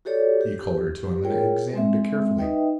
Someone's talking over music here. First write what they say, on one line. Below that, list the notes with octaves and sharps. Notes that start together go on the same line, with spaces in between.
He called her to him and examined it carefully.
F#4 G4 A4 C#5 D5
G4
F4 G#4 A#4 C#5 G5
G#3 C4 E5
D#4 B4 D#5 E5 G5